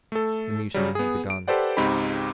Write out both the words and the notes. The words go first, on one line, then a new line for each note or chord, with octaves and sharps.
The mutiny had begun!
A3 A4
C#3 F#3 G3
B3 G#4
D7
G4 A4 B4 C5 D5 F#5
C#2 G#2 C4 D#4 G4 B5